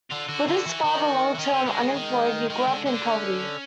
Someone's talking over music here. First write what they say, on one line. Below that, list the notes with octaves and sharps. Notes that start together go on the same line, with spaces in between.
With his father long-term unemployed, he grew up in poverty.
D3 F4
D3 F#4
D3 F4
F#4
E3
D#3
E3
D#3 C#4
D3
D3 G#3
C#3
D#3
D#3
D3
D3
D4
C#4